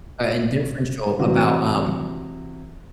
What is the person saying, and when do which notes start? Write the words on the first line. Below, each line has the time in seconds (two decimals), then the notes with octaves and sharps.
uh, and differential about, um,
1.19 C3 E3 F#4